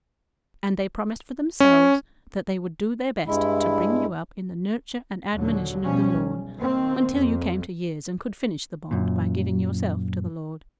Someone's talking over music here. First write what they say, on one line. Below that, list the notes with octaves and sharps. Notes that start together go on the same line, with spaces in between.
And they promised for themselves that they would do their best to bring you up in the nurture and admonition of the Lord until you came to years and could finish the bond by giving yourself to the Lord.
C#4
G2 G#3 E4
D#2 A#2 D3 F#3
B2 F3 G3 C#4
B1
D#3 A#3 C4
F2
F#2 A#2